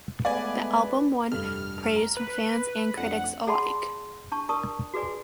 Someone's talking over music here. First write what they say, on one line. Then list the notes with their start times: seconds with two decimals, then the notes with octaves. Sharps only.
The album won praise from fans and critics alike.
0.25 G#3 A3 B3 B4 D5 F5 G#5
1.32 F1 G2 A4 F6
1.96 A#5
2.17 B4
2.97 F2 A3 D4 F#5
3.47 G#4 D5 F#5 A5 B5 C6
4.32 D4 A5 C#6
4.49 A#4 D5 A5 C#6 D#6
4.94 F#4 G#4 B4 D5 G#5